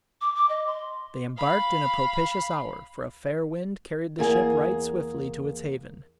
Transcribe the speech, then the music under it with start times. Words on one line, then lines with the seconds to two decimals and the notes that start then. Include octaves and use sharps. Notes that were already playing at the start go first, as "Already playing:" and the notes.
They embarked in a propitious hour, for a fair wind carried the ship right swiftly to its haven.
0.21 D6
0.35 D6
0.49 D#5
0.67 C6
1.37 F5 B5
4.19 E2 A#3 G#4